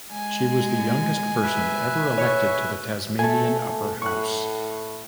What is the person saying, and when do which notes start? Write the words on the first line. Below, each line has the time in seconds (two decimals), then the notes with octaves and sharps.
She was the youngest person ever elected to the Tasmanian upper house.
0.12 G#3 G#5
1.43 B4 E5
2.18 C#5
3.19 A3 G#5 A5
3.61 A3
4.02 A2 C#6 F#6